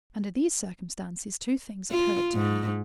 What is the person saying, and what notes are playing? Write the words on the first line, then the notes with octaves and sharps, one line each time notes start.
Under these circumstances two things occurred to her.
F4
G#2